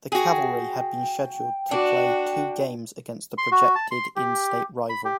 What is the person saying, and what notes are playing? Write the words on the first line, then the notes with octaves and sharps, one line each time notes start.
The Cavalry had been scheduled to play two games against the projected in-state rival.
F#4 G#4 G5
D4 F#4
C6
F#4
A5
C6
G4
B5
G4